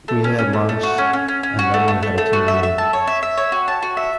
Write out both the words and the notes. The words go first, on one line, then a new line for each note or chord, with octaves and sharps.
We had lunch and then we had a team meeting.
A3
C#4
C#4
A3
A3
F#4
C#4
C#4
C#4
C#4
F#4
A3
A3
A3
A3
F#4
E5
E5
A5
C#5
E5
E5
C#5
F#4
A5
F#4
E5